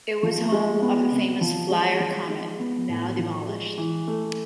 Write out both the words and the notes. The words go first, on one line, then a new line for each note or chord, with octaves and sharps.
It was home of the famous Flyer Comet, now demolished.
F3
G#3
B3
C3
F3
G#3
F3
G#3
B3
A2
F3
G#3
E3
A3